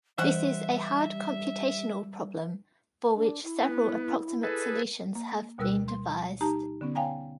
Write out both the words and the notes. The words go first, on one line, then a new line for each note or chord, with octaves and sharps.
This is a hard computational problem, for which several approximate solutions have been devised.
E3 G3 C5 E5 F#5
D4
E4
B3
G#4 A4 B4
A#3
D2 B2 G3 A#4 E6 F#6
C6
D#4 G4 A5 A#5
D3 B3 C#4
C#5 F5 G5 G#5 A#5